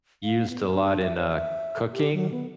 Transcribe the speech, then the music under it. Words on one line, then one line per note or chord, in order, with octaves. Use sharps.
used a lot in, uh, cooking,
F5
B3
D4
E5
C#5
E5
G4
F#3
B3